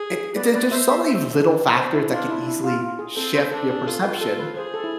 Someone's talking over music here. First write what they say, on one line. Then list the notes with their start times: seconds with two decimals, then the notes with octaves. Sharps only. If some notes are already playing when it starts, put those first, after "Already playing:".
it it there's just so many little factors that could easily shift your perception.
Already playing: G#4
0.36 B3 B4 D5
0.54 B4 D5
0.71 C5 E5
0.89 C5 E5
1.06 C4 C5 E5
1.42 D4
1.77 D4 C5
1.93 E4
2.12 D4 F4
2.29 E4
2.47 E4
2.64 F4
2.81 F4
2.99 G#4
3.16 C4 A4
3.34 C5
3.51 D4 A4
3.69 G#4
3.82 G#4
3.86 F4 A4
4.05 B4
4.21 A4
4.39 B4
4.56 G#4 C5
4.74 A4
4.84 E4